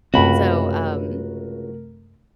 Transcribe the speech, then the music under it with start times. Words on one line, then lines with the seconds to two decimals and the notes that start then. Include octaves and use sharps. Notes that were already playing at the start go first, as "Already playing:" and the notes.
So, um
0.14 C#2 F#2 C3 A3 C4 F#4 A#4 B5